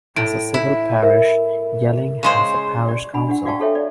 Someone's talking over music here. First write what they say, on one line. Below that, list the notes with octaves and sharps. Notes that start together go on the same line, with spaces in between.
As a civil parish, Yelling has a parish council.
A2 D7
E4
A#4 E5
C#3 G#3 C5
G4 D5
D4 F#5 G#5 B5
D4 G4 F#5
F#4 D5 F5 G5 A5 C#6
G4 A4 C#5 E5 G5
D5